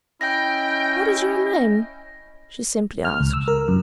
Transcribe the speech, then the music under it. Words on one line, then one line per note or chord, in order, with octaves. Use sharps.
"What is your name?" she simply asked.
C#4 E4 D#5 G5 A#6
F6
C#2
E6
A#4
F#2